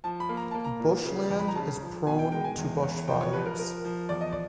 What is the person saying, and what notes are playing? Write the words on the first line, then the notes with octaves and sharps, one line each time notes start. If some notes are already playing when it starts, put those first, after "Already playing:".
Bushland is prone to bushfires.
F3 A5
B5
A#3
A#5
A#3 A5
A#5
A#2
C#3
F2
B5
A#5
C#3 A5
F3
B2 G#5
G5
G#3 G5
G#5
E2
E2
F3 G5
C#5
F3 B4
A#4
F3 A#4
F3
E2 D5
D#5
D5